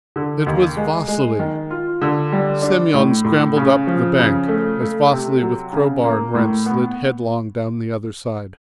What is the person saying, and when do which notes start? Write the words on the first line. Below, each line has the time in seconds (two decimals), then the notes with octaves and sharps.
It was Vasily! Semyon scrambled up the bank, as Vasily with crow-bar and wrench slid headlong down the other side.
0.16 D3
0.46 D#2
0.77 G#3
1.08 G#3
1.39 D#3
1.71 F4
2.02 D3
2.32 G3
2.62 D4
2.94 A2
3.25 A2
3.56 C#3
3.87 F3
4.19 C#3
4.48 A3
4.80 A3
5.11 C3
5.41 F#3
5.73 C#3
6.04 A#3
6.35 A2
6.66 B3